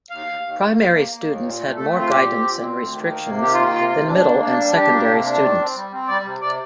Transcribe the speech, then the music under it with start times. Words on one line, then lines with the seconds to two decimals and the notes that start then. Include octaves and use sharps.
Primary students had more guidance and restrictions than middle and secondary students.
0.10 D#2 F5
0.27 D#2
0.43 D#2
0.59 A#3
0.77 D#2
0.93 A#3
1.09 A#3
1.26 D#2
1.43 A#2
1.59 A3
1.76 A3 A4
1.93 C4
1.99 F4
2.09 A#2 G4
2.27 C4
2.43 A#2
2.60 C4
2.76 D2
2.93 D#3
3.09 A#3
3.26 C3
3.42 D#3 G4
3.53 F4
3.59 A#3
3.73 C3 F4
3.92 D2
4.09 D4
4.25 A#3
4.42 D4
4.59 G3
4.75 D4 G4
4.92 A#3
5.08 C3
5.25 D4
5.41 D#3
5.58 C4
5.75 G3
5.92 C4
6.08 G3 D5
6.24 C3
6.41 C3 D5